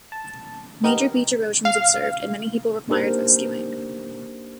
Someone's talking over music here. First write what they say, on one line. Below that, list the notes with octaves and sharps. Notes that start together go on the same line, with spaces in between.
Major beach erosion was observed, and many people required rescuing.
A5
B3 D#4 G4 A#4
F5
A#3 D4 D#4 G4 A#4 C5